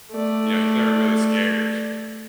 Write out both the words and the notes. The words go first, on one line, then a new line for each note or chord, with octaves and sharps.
you know, he's never really scared,
A3 D5